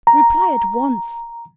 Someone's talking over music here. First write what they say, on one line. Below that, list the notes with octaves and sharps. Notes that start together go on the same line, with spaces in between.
Reply at once.
A#5